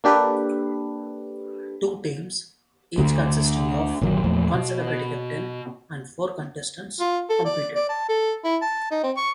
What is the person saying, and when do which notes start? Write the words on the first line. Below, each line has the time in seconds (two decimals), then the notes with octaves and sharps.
Two teams, each consisting of one celebrity captain and four contestants, competed.
0.04 A#3 D4 G4 A4 B4
2.98 D2 D3
4.01 G1 A#2 D#3 F#3
4.24 E2 A#2 F3 A3
4.54 B2
7.00 F4
7.30 A4
7.45 D5
7.75 D5
7.89 A5
8.09 A4
8.44 E4
8.62 A5
8.91 D#4
9.03 C4
9.17 C#6